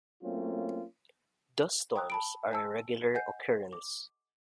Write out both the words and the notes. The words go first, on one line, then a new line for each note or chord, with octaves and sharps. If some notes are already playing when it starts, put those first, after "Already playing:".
Dust storms are a regular occurrence.
F#3 A3 A#3 C4 C#4 F4
G5 A#5 D#6 E6 F#6
A5 B5 D7
G#5 A5 E6
D#5 F#5 G#5 G6 C7
D6